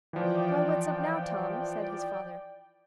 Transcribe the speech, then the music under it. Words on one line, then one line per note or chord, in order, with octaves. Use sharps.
"Why, what's up now, Tom?" said his father.
E3 F3 D5 G5